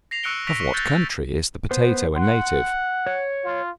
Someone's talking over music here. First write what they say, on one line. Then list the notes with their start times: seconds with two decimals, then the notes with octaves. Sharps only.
Of what country is the Potato a native?
0.11 A#6 C7 F7
0.23 C#6 E6 F#6 C#7 D7 G7
0.47 C#6 E6 A#6 B6 D7 F7
0.60 C#6
0.73 E6 F#6 G6 A6 G7
0.86 A#6
1.71 B3 C5
2.16 F#5 C6
3.06 C#5
3.44 F4